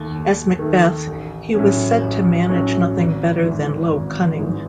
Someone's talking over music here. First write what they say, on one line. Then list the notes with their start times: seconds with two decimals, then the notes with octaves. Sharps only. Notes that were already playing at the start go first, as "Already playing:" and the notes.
As Macbeth, he was said to manage nothing better than low cunning.
Already playing: D#2 D#3 A3
0.12 D#2
0.59 D#3 A3
1.07 A1
1.54 A2 F#3 C#4
2.01 A1
2.49 A2 F#3 C#4
2.96 G#1
3.44 G#2 E3
3.92 G#1
4.38 G#2 E3